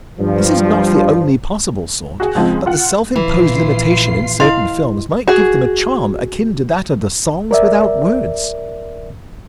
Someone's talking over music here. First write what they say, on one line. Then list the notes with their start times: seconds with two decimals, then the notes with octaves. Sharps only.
This is not the only possible sort, but the self-imposed limitation in certain films might give them a charm akin to that of the Songs without Words.
0.19 G2 F3
2.20 F#4 G#4 F#5
2.35 C#2 F3 G#3 C4
2.66 F4 F#5
3.16 A#1 E3 F4 C7
4.40 E4 D#5 F5 C6
5.28 F#4 G#4
7.51 A#4 D5 E5